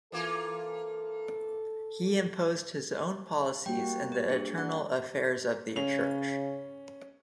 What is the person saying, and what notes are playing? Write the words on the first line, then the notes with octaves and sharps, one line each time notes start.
He imposed his own policies in the internal affairs of the Church.
E3 A#3 F4 A4
G3 A#3 F#4 G5
G4
D4 G#4
D4 F#5
C#3 C#4 F7